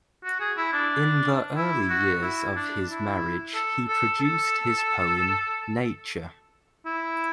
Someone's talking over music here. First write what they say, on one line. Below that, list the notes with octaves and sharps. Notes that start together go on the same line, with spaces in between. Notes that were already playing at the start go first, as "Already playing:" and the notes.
In the early years of his marriage he produced his poem, "Nature".
F#4
G#4
E4
D4
E4
F#4
E4
D4
E4
A4
A4
A4
E4